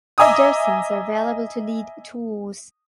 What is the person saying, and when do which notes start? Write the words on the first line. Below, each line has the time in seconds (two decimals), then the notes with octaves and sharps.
Docents are available to lead tours.
0.18 D#5 E5 G#5 A#5 D6 D#6